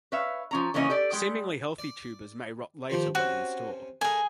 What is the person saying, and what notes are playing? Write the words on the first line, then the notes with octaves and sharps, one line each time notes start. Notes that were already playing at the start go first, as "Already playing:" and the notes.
Seemingly healthy tubers may rot later when in store.
B4 C#5 E5 F5
F3 C#4 A#5
C#3 E3 A#3 C#4 D4 D#5
G4 A4 D5
G3 G#3 G5
D5
D#3 F3 G4
C3 C#4 F#4
A3 G#4 A#4 G#5